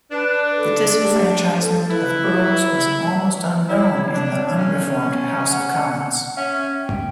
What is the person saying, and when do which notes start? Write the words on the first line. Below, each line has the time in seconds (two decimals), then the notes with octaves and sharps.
The disenfranchisement of boroughs was almost unknown in the unreformed House of Commons.
0.11 D4 B4
0.56 A4
1.01 G4
1.60 A4
1.90 E4 B4
3.69 E4 C#5
4.14 D4
4.58 C#4
5.48 F#5
6.27 F#5
6.36 C#4 E5
6.82 G5